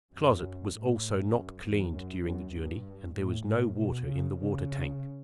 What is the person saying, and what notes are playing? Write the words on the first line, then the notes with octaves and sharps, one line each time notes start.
The closet was also not cleaned during the journey and there was no water in the water tank.
F#2
A2
F#2
E2
F#2
F#2
G2
A2
A2
B2
C#3
C#3